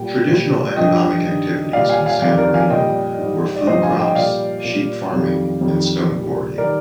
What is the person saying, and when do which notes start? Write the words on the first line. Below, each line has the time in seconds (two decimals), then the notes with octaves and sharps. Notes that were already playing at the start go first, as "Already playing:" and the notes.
Traditional economic activities in San Marino were food crops, sheep farming, and stone quarrying.
Already playing: A#2 G3 G5
0.28 A#2 G3
0.76 G2 F3 D#5 G5
1.25 G2 D#3 G3
1.73 A#2 G3 D5 F5
1.89 F5 G#5
2.06 F5 G#5
2.22 F2 D#3 G3 D5 F5
2.38 A#4 D5
2.54 F5 G#5
2.70 A#2 G3 D#5 G5
3.18 G#2 G3
3.56 D5
3.67 G2 D3 F3 C5 D#5
3.83 F5 G#5
4.00 D#5 G5
4.15 A#2 G3 D5 F5
4.64 A#2 G3
5.12 F2 D#3 G3
5.61 F2 D#3 G3
6.09 A#2 G3
6.58 D#3 G3 A#4 D5